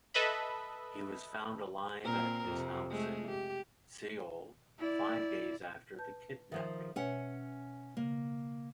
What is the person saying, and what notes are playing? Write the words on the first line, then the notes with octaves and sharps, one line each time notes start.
He was found alive at his house in Seoul five days after the kidnapping.
A4 B4 D#5 E5 B5
A#2 C4 A#4
F2 C3
G#3 A3
G4
E4 D5
B4 A5 G6
D#3 F3 C5 E5
B2 C#4 B4 C#5 E5 F#5
C#3 A#3